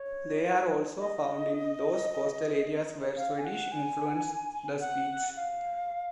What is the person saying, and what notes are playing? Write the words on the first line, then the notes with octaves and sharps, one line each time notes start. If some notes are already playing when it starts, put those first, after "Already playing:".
They are also found in those coastal areas where Swedish influenced the speech.
Already playing: C#5
D#5
F5
G#5
F#5
G#5
F#5
F5